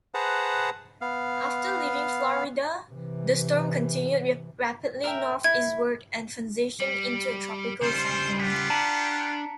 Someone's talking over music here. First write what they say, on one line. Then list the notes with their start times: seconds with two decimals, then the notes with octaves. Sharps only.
After leaving Florida, the storm continued rapidly northeastward and transitioned into a tropical cyclone.
0.14 G#4 B4 C5 F#5 A5 A#5
1.01 B3 F5
2.91 C3 E3
5.04 A#4 E5 G5
5.44 E4 G#6
6.80 G3
7.81 C#3 G3 F4 C5
8.40 F4 G4 F#5 B6
8.70 D4 A5 A#5 C#7